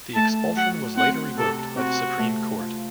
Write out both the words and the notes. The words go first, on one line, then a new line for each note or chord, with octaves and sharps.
The expulsion was later revoked by the Supreme Court.
A3 A5
F#3 F#5
C4 F#5
C3 A4
C4 F#4
A3
F4